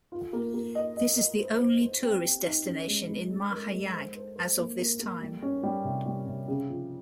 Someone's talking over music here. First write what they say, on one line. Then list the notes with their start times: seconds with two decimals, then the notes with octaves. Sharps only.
This is the only tourist destination in Mahayag as of this time.
0.12 F4
0.33 A#3
0.54 A#3
0.75 D#5
0.97 D#5
1.18 D#5
1.39 C5
1.60 C5
1.82 C5
2.02 C4
2.24 G4
2.45 D#4
2.66 C#4
2.87 G#3
3.09 G#3
3.30 G#3
3.51 A#4
3.72 G#3
3.94 C5
4.15 C5
4.36 C5
4.57 A#3
4.78 A#3
4.99 A#3
5.21 G3
5.42 C#4
5.63 G3
5.85 C3
6.06 G3
6.27 C3
6.48 C#3
6.69 F3